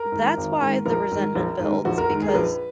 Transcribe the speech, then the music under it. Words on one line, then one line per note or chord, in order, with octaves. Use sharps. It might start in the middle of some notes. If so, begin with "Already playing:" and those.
that's why the resentment builds because
Already playing: A#4
G#2 D#3
G#1
G#2 D#3
A#1 A#4
G#2 D#3
A#1
G#2 D#3
A#1 F#4
A#4
G#2 D#3
G#4
A#4
A#1 B4